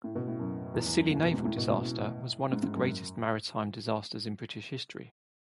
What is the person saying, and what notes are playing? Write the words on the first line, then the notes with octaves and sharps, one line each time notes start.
The Scilly naval disaster was one of the greatest maritime disasters in British history.
A2
B2
A2
F#2
E2
E2
F#2
A2
B2
G#2
A2
B2
B2
A2
G#2
G#2
F#2